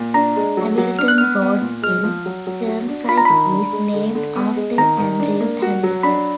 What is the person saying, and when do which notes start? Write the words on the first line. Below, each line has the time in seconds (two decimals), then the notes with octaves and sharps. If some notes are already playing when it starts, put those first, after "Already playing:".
Hamilton Road in Chermside is named after Andrew Hamilton.
Already playing: A#2
0.14 D4 A#5
0.36 G#3
0.57 F#3
0.78 F#3
0.99 D4 F6
1.08 F#6
1.18 B3 F6
1.42 B3
1.62 A#2
1.82 G#3 F6
2.04 F3
2.26 F#3
2.47 F#3
2.68 F#4
2.88 D4
3.09 F4 B5
3.17 A#5
3.25 D#3 B5
3.52 D4
3.72 G#3
3.93 D3
4.15 D3
4.35 B3
4.56 G#3
4.78 D#3 A#5
4.98 D#3
5.20 D4
5.41 A#3
5.62 F#4
5.83 F#3
6.03 D4 B5